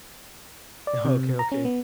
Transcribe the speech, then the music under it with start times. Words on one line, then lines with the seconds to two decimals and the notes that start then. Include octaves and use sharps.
Okay, okay.
0.87 D5
1.05 C3
1.39 A#5
1.52 C#4
1.65 B3